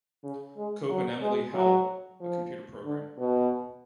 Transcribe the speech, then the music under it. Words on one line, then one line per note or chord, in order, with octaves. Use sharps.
Cope and Emily Howell, a computer program.
C#3
G#3
F#3
G#3
F#3
F3
D3
B2